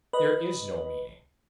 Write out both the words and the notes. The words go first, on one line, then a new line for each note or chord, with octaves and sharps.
There is no meaning.
B4 D#5